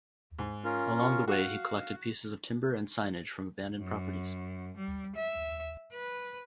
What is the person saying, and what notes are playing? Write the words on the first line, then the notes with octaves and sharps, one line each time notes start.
Along the way he collected pieces of timber and signage from abandoned properties.
G#2
C#4 F4 A#4
C#6
F#4 F5 F#5
F#2
G3
E5
B4